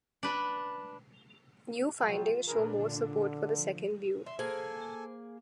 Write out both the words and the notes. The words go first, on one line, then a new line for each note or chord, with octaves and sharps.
New findings show more support for the second view.
D4 B4
B2 F3 F#3 F4 G5
A#2 D4 G#4 A#4 B4
D3
F3
E5 C6
A#3 G#4 A4 C5 G#5